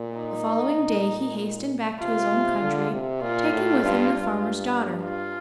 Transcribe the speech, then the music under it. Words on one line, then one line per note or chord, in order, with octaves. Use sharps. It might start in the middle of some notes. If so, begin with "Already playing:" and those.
The following day he hastened back to his own country, taking with him the farmer's daughter.
Already playing: A#2
D#4
A#2
C3 F4
C3
D3
C3
A#2 F4
A2
G2
G2
F4